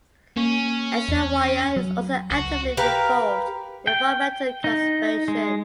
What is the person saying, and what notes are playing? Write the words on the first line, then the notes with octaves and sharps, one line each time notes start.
Aishwarya is also actively involved in environmental conservation.
A#3 C#4
E2
F#3
C#2 F#4
G4 A#4 B4 F5
G5
D#4
G#3